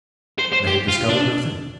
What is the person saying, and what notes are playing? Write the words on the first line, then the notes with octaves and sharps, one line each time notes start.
They had discovered nothing.
C5
C5
G4
F4
D4